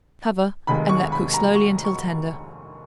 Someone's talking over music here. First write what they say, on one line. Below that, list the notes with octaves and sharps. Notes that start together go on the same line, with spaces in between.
Cover and let cook slowly until tender.
F1 D#2 D#3 G#3 B5
C#6
B5
A#5
C#6
C#6